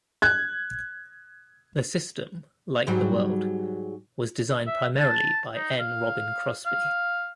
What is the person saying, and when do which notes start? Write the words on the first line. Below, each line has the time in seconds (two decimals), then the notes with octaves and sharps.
The system, like the world, was designed primarily by N. Robin Crossby.
0.22 F#6 G#6
2.87 G#2 F#3 G3
4.67 E5
4.98 A5
5.55 D#4
5.80 F5
6.66 F5